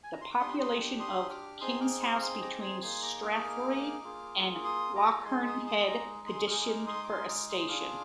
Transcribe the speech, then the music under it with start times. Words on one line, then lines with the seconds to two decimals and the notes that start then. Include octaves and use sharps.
The population of Kingshouse, between Strathyre and Lochearnhead, petitioned for a station.
0.03 G#5
0.12 A#5
0.21 C6
0.31 D6
0.39 D4 G4 C6 D#6
0.59 C6 D#6
1.00 C6 D#6
1.30 D6 F6
1.61 C4 D#4 G#4 C6 D#6
1.81 D6 F6
2.01 C6 D#6
2.15 F6
2.22 C6 D#6
2.42 A#5 D6
2.61 G#5 C6
2.82 A#3 D#4 G#4 G#5 C6
3.02 A#5 D6
3.22 D6 F6
4.04 A#3 F4 G#4
4.57 D6
4.64 C6 D#6
4.95 A#5 D6
5.25 G#3 D#4 G#4 G#5 C6
5.45 C6 D#6
5.66 C6 D#6
5.86 A#5 D6
6.27 C6 D#6
6.47 G#3 D#4 G#4 D6 F6
6.59 D#6
6.67 D6 F6
6.87 C6 D#6
7.04 D6
7.08 G#5 C6
7.29 D6 F6
7.49 C6 D#6
7.68 D4 F4 G#4 D6 F6